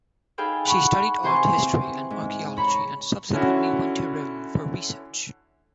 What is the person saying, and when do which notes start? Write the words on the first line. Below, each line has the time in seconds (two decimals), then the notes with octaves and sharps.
She studied art history and archaeology and subsequently went to Rome for research.
0.38 D#4 G#4 A4 F5 G5 B5
0.65 F#5 B5 C#6
1.23 C3 E3 C5 G#5 C6 C#6
1.56 C3 C4
2.10 G#2
2.57 C#5 A#5 B5 C#6
3.33 D3 C#4 E4 F#4